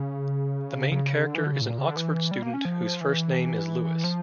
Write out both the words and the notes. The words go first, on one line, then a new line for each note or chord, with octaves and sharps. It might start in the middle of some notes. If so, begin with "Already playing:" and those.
The main character is an Oxford student whose first name is Lewis.
Already playing: C#3
C#3
D3
E3
D3
C#3
A2
A#2
C#3
D3
E3
G3
A#3
C#4
F3
E3
F3